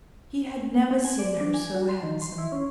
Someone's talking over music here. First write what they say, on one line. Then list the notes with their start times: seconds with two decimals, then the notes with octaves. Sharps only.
He had never seen her so handsome.
0.91 C4
1.05 G#5
1.19 D5
1.41 D4
1.54 G#5
1.75 F#4
1.89 C6
2.03 D#3
2.22 C6
2.38 E4
2.52 C#4